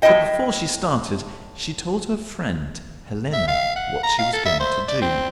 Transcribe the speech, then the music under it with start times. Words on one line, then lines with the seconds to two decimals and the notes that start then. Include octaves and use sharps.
But before she started, she told her friend, Helena, what she was going to do.
0.02 A2 E4 F#4 A4 D#5 G5
3.33 E5
3.48 F5
3.76 F#5
4.03 A#5
4.18 F5
4.33 A4
4.45 E5
4.60 C5
4.88 D5
5.01 C4